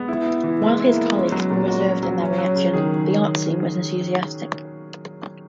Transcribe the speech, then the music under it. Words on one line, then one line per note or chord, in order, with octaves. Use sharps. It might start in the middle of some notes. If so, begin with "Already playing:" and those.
While his colleagues were reserved in their reaction, the art scene was enthusiastic.
Already playing: G#3 B3
E4
B3
E3
E3 G#3
E4
A#3
B3
G#3 C#4
F#3
A#2
G#3 F#4
C#4
F#3
C#4
F#3
C#3
D#3 G#4